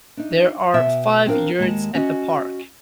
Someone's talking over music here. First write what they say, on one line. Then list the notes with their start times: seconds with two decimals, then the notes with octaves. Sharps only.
There are five yurts at the park.
0.17 D4 D#4
0.74 B2 E5 G5
1.27 C4 D4 E4 A#4 F5
1.59 D#2 G#3 A5
1.95 C#4 F#4 D#5